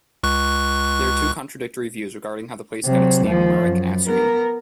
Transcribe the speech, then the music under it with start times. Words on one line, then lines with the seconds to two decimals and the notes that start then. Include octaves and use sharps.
There are two contradictory views regarding how the place got the name Murickassery.
0.23 C#2 C#6 F#6
2.85 C3 F#3
3.27 D#2 F3
3.63 F#2
4.07 B3 A#4